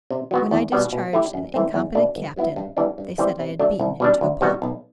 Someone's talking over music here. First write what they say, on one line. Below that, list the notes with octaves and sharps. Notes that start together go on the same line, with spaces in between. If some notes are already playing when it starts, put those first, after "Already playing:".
When I discharged an incompetent captain, they said I had beaten him to a pulp.
C3
F#3 B3 F#4
E2
B2 G3 B3
B2
A3 E4 G4
F#2
E3 A3 C4
E2
B2 A3 D4
G1
G2 F#3 B3 E4
G2
E3 G3 B3 D4
G2
E3 G3 C4
C3
F#3 A3 D4
C2
B2 G3 D4
D2
C3 G3 B3 F#4
B1